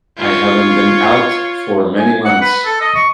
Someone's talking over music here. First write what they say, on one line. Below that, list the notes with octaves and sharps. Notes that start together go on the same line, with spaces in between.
I haven't been out for many months.
F4 C#5
G#5
F#5
B4
A4
D#5
C#6